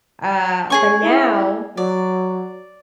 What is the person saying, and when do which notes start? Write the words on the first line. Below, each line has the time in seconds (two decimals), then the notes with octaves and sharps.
Uh, but now
0.70 C#4 G#4 G#5 C#6
1.04 E4
1.77 F#3 D5